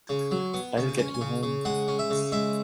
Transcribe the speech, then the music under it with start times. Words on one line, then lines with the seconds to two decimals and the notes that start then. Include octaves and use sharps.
I'll get you home.
0.09 C#3
0.31 F#3
0.54 B3
0.77 C#3
0.98 C#4 G#5
1.14 G#5
1.21 C#3
1.43 C#3
1.65 G#3 F#5
1.88 C#4
1.99 E5
2.10 C#3
2.32 G#3 E5